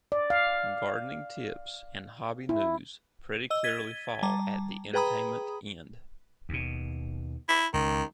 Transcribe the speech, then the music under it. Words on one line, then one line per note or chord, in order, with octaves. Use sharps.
Gardening tips and hobby "news" pretty clearly fall at the entertainment end.
D5
F5
E4
D#5 E6 G7
G#6 A6 B6 D#7 G7
G3 A5 A#5
G#4 B4 G5 A#5 B5 D#6
D#2 B2
E4
C#2 D#3